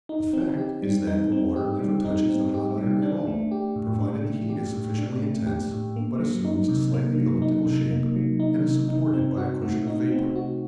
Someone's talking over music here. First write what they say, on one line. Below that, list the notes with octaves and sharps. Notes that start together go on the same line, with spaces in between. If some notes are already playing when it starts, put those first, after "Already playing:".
The fact is that the water never touches the hot iron at all, provided the heat is sufficiently intense, but assumes a slightly elliptical shape and is supported by a cushion of vapor.
D#4
C4
G4
G3
D#4
C4
G4
G3
D#4
C4
G4
G3
D4
A3
G4
A2
D4
A3
G4
A2
D4
A3
G4
A2
A#3
F#3
D#4
C3
A#3
F#3
D#4
C3
A#3
F#3
D#4
C3
D#4
C4
F#4
A3
D#4
C4
F#4